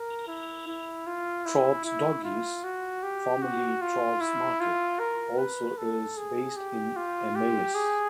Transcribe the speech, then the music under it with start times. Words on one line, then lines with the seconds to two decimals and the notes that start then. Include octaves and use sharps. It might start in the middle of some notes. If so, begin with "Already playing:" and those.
Traub's Doggies, formerly Traubs Market, also is based in Emmaus.
Already playing: A#4
0.28 E4
0.67 E4
1.07 F4
1.46 E4
1.85 E4
2.24 F4
2.64 F#4
3.03 G4
3.42 F#4
3.81 F4
4.21 E4
4.60 F4
4.99 A#4
5.38 B4
5.78 A4
6.17 G#4
6.57 G4
6.96 F4
7.35 G4
7.75 G#4